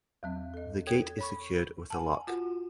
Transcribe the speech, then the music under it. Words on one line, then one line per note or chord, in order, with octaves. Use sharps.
The gate is secured with a lock.
E2 F#3 C4
A4 D#5
A4 A#4 C#5 G5 D#6 G#6
C#5 B5 C#6
F#5 G#5 A5
F4 F#4 F#5